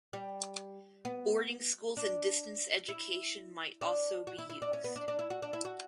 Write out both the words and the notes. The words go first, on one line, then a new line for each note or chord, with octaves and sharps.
Boarding schools and distance education might also be used.
G3
B3
D4
E4
D4
F#4
E4
E4
D4
C#4
B3
D4
D4
E4
F#4
D4
E4
F#4